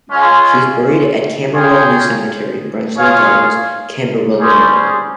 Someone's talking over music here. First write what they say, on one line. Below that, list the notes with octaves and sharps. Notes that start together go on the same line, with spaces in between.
She is buried at Camberwell New Cemetery, Brenchley Gardens, Camberwell, London.
G#3 C#4 F4 G#4
F4 G#4 C#5 G5
F4 G#4 C#5 F5
G3 C#4 G#4 C5